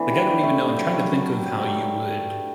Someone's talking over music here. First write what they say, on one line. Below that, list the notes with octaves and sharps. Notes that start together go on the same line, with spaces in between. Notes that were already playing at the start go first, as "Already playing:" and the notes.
Like, I don't even know. I'm trying to think of how you would
Already playing: E3 A3 B3 D4
G4
D4
A3
G4
F#3
F#3
F#3
G4
F#3
G4